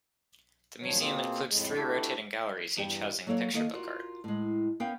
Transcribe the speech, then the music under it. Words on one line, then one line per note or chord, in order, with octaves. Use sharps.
The museum includes three rotating galleries, each housing picture book art.
G2 A#2 D#3 F3 F#3 C#5
B2 A#3 C4 F4 G#4
F2 A2 G#3
A3 D4 E4 F#4 G4 A4
E2 G2 B3 G4 D5
F#3 A#3 A4 C#5 D5
D#3 A#3 A4 D#5
F4 F#4 A#4 D5
A2 G#3
B3 C#4 A#4 F5 G5